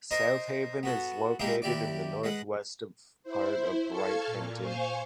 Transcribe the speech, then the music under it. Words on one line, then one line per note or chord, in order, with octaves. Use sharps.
South Haven is located in the northwest part of Wright County.
D#4 A#4 C5 D#5
B3 F#4 A4
G#3 A#3 D#4 E4 G4 A#4
D#2 E4 G4 D5 D6
G#3 B4 F#5
E4 C5
A4 F5 A5 C#6 F6 G#6
A#2
C5 F5 G#5 C#6